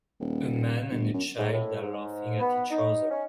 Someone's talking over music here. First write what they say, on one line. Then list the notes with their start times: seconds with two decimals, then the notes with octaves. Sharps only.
A man and a child are laughing at each other.
0.20 D#1
0.90 G1
1.14 F#2
1.38 G#2
1.53 A2
1.82 G#2
2.40 B3
2.70 D#4
3.11 C#4